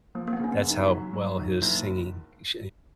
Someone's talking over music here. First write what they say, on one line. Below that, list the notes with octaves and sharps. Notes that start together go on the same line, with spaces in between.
that's how well his singing, sh
F3 A#3
A#3
B3
C#3 C#4
B3
F#2
D#4
F#3 F#4
F#3
B1
F#1